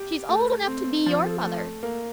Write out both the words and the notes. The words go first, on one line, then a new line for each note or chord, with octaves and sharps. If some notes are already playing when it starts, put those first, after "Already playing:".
She's old enough to be your mother.
Already playing: G4
A3
C4
F3
A3
A#3